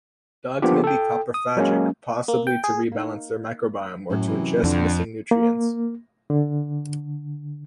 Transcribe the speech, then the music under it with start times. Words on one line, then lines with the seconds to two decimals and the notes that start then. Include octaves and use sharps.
Dogs may be coprophagic, possibly to rebalance their microbiome or to ingest missing nutrients.
0.62 F3 A#3 B3 D4 F4 G4
0.84 A4 G5
1.34 D#6
1.57 F#3 G#3 A#3 C#4
2.28 A#3
2.47 G5
2.64 G#4
2.92 A#3 D#4
4.10 F#2 A2
4.28 C3 E3
4.64 F2 D3
5.31 A#3
6.30 D3